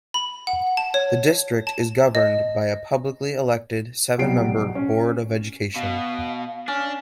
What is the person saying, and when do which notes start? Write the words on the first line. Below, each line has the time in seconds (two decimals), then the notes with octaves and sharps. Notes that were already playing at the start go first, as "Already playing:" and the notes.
The District is governed by a publicly elected seven-member Board of Education.
0.14 B5
0.47 F#5
0.77 A5
0.94 C#5
1.67 A5
2.15 D#5
4.18 C2 B2 F#3 G3 C7 D7
4.75 C#4
5.76 B2 F5
6.68 C#4 D4